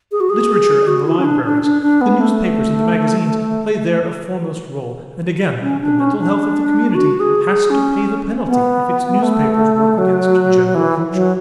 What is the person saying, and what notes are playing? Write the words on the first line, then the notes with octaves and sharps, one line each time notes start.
Literature and the libraries, the newspapers and the magazines play there a foremost role, and again the mental health of the community has to pay the penalty if its newspapers work against general culture.
G#4
F#4
G#4
F#4
E4
C#4
D4
D4
D4
D4
B3
A3
C#4
D4
C#4
D4
F#4
G#4
G#4
C#4
B3
A3
F#3
E3
F#3